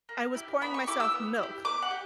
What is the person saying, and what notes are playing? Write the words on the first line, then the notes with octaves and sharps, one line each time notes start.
I was pouring myself milk,
A#3
E4 G4
B3 B5
C#6
E4 G4 D6
E6
B3
E4 G4
B3 D6
F#5
G4